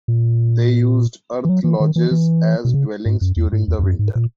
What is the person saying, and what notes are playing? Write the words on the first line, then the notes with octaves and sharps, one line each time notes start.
They used earth lodges as dwellings during the winter.
A#2
E3
F#3
E3
D#3
E3
E3
B2
C#3
G#2
F#2
E2
G#2
E2
E2
F#2
G#2
A#2